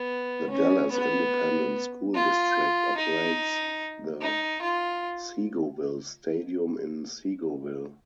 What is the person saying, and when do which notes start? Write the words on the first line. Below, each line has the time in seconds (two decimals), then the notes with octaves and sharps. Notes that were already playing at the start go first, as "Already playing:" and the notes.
The Dallas Independent School District operates the Seagoville Stadium in Seagoville.
Already playing: B3
0.50 C#4
0.91 B3
2.15 F4
2.97 D#4
4.21 D#4
4.62 F4